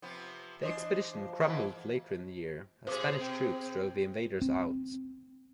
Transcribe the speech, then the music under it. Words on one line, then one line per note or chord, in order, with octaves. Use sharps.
The expedition crumbled later in the year, as Spanish troops drove the invaders out.
C3 F3 B3
E3 D4 C5 D#5
F3
G#2 E3 A#3
B2 G#4 C5 D6
C4
C4